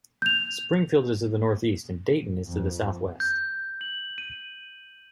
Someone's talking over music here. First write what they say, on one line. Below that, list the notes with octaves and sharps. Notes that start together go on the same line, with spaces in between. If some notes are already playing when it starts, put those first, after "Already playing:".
Springfield is to the northeast, and Dayton is to the southwest.
G6 F7
F2
G6
F#7
D#7